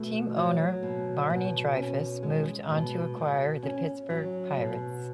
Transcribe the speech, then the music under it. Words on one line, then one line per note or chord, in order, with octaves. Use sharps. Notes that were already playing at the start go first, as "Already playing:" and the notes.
Team owner Barney Dreyfuss moved on to acquire the Pittsburgh Pirates.
Already playing: B2 A3
F#3
B2
B2
C#4
G#3
B2
B2
C#4
F#3
B2